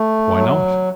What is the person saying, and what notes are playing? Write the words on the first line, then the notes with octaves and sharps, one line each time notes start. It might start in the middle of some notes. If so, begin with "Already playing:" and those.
"Why not?"
Already playing: A3
F#3